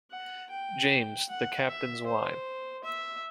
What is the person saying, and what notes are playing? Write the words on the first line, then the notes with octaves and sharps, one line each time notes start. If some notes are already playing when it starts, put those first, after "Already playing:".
James, the Captain's wine!
F#5
G5
F#5
E5
C5
E5